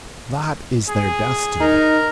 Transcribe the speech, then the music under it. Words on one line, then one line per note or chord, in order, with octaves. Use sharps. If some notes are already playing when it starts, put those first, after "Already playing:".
That is their destiny.
G#4
D#4 A#4